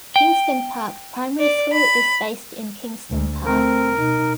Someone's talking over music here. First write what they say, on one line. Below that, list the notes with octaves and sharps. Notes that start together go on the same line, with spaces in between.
Kingston Park Primary School is based in Kingston Park.
G5
D5
B5
D2
A3 C4 A#4
B2 D#4